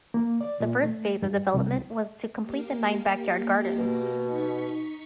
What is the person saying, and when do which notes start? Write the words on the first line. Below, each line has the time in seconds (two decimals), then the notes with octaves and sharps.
The first phase of development was to complete the nine Backyard Gardens.
0.14 A#3
0.41 D5
0.60 A#2
0.83 A3
1.22 G2
1.54 C2
2.42 A#3 G4 A#4
3.78 B2
4.25 D#4 C#6 B6